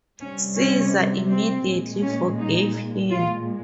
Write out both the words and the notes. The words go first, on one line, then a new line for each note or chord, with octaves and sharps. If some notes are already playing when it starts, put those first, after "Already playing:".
Caesar immediately forgave him.
C3 G3 C#4
C#4
C4
A#2 G#3
C#4
D#4
A#2 G#3 F4